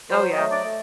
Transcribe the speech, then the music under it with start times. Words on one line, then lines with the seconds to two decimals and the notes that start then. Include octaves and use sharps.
Oh, yeah.
0.11 F#3 C5
0.31 D#5
0.38 A3
0.51 D5
0.65 A3